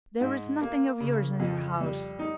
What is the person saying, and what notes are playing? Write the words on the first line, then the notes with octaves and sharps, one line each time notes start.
There was nothing of yours in her house.
G#2
A#3
C#3
F2
G3
D#4